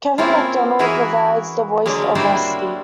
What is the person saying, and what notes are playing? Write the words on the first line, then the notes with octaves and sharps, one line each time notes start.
Kevin McDonald provides the voice of Rusty.
A#3 C4 C#4 E4 F4
E3 E4 F#4 G#4 A#4 B4
D3 F#3 G#3 A#3
G3 A#3 D4 E4 F#4 C5